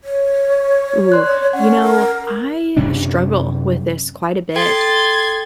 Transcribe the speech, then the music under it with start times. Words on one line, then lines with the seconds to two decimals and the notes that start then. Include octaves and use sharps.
Ooh, you know, I struggle with this quite a bit,
0.04 C#5
1.12 D5 C6 F#6
1.53 C#4 F#5
1.81 A#4
2.77 F#2 C3 C#4 D4
4.56 A4 G5 C6 G#6 A6